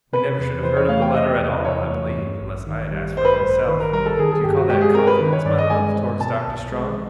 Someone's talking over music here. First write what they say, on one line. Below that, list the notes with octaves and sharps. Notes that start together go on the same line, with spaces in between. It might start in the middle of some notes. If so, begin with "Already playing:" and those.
We never should have heard of the letter at all, I believe, unless I had asked for it myself. Do you call that confidence, my love, towards Doctor Strong?
C3 B4
E2
E3 C5
C#5
A3 F5
G5
C3 D#5
E2
E3 C#5
A3
G2
A1
D#3
G3
G2 C5
B4
C5
A1
D#3 B4
A#4
G3 A#4
A4
D#3 G#4
G#4
G2 G4
F#4
G#3 G4
G#4
C4 A#4
B4
D#3
C#5
G2 D5
D#5
G#3 G#5
C4
B2 A5
B1
G#3